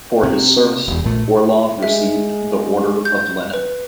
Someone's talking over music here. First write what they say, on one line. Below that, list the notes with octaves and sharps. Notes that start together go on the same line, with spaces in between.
For his service, Orlov received the Order of Lenin.
C3
E1 E2
A#1 A#2 A3
G#3 E5
G6
B4